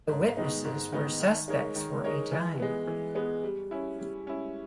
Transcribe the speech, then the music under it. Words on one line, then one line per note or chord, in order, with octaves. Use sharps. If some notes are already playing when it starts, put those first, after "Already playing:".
The witnesses were suspects for a time.
G#2
D#3 G#3 B3 D#4
G#2
D#3 G#3 B3 D#4
D#3
G#3 D#4 A#4 C#5
D#3
G#3 D#4 A#4 C#5
E3
G#3 B3
E3
G#3 B3
G3
C#4 E4
G3
C#4 E4